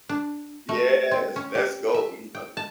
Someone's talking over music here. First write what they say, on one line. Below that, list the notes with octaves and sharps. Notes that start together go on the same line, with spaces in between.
Yes. Let's go. You hu
D4
A3
C4
C#4
G4
E5
G5
A5